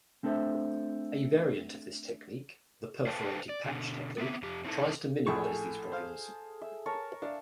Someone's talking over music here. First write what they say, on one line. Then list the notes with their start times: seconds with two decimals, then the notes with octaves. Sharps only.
A variant of this technique, the "perforated patch" technique, tries to minimise these problems.
0.23 A3 C4 D4 A4 C5 E5
3.07 A4 B4 C5 F5 G5 A5
3.49 D5
3.65 B2 D3
4.18 B3 C4 E5
4.42 F2 G4
4.65 C4 D#4 E4 A4
5.26 A#1 A2 G#4 A4 C#6
5.92 C5 F5
6.61 E5
6.86 A#4 C#5 A5
7.22 D4 E5 F5